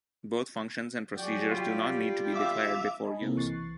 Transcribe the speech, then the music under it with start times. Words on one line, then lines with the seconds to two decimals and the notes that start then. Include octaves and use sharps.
Both functions and procedures do not need to be declared before use.
1.16 F#3 F#4 G#4 D5 G5
1.51 G3 F4 G4
2.34 E5 F5 D6 E6
3.03 D#5 G#5 A5 B5
3.21 C3 A#3 C4 E4 A4 A#4
3.36 B1 E3 C#6 F#6 A6 C7